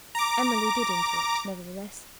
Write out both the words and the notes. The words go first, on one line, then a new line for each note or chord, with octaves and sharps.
Emily did interrupt, nevertheless.
A#5 D6